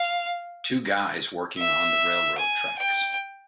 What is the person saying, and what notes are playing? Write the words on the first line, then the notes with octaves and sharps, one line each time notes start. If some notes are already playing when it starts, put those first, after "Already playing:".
Two guys working on the railroad tracks.
Already playing: F5
E5
G#5
G5